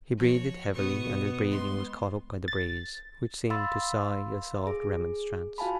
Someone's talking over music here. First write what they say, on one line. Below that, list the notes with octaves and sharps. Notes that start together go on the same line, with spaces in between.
He breathed heavily, and his breathing was caught up by the breeze, which seemed to sigh a soft remonstrance.
F3 F#4 C#5
B2 B3 C#6 D#6
G#3 C6
A6
F5 B5 C6 E6 A6
G#4
F4 F#4 F5 G#5 A5 B5